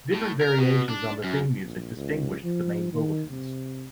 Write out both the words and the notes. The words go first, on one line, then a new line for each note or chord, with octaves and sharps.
Different variations on the theme music distinguished the main bulletins.
A2
A#4
B2
D4
F#2
A#1
C#2
F3
D#3
C3